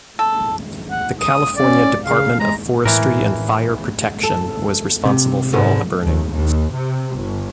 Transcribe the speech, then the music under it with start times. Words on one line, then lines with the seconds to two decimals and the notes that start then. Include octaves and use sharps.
The California Department of Forestry and Fire Protection was responsible for all the burning.
0.19 A4
0.91 F#5
1.21 D#6
1.57 C#4 D5
2.05 C#3 F5
2.40 G#3 A#5
2.85 A2 E3 A#4
4.23 A4
5.05 C3
5.53 G#2 D3 B3
6.04 D#2
6.34 D#2
6.74 C3
7.17 G1